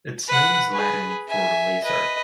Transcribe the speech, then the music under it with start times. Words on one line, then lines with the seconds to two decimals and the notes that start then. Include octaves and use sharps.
Its name is Latin for lizard.
0.28 B4 F#5
0.72 G#4 B4
1.28 E5 G#5
1.83 B4 D#5